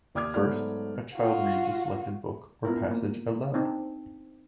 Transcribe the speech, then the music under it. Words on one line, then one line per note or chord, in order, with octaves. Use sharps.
First, a child reads a selected book or passage aloud.
D#2 D5 D6 D#6 F6 G#6
G#2 F#3 A3 B3 D5 F6
F4 F#4
B3 D4 E4 F4 A#4
A#3
C4 D4 D#4